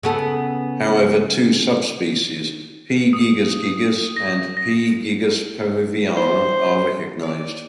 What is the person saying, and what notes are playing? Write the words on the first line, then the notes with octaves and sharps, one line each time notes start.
However two subspecies "P. gigas gigas" and "P. gigas peruviana" are recognised.
C#3 B3 A4
D#6
A#6
A#6
C5
D5